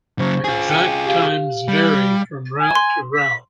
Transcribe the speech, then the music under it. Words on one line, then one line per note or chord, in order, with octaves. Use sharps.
Exact times vary from route to route.
C#3 F#3 C5 C#6
F4 G#4
G5 C#7 D#7
G4 F5
G3
G#5
C6
B6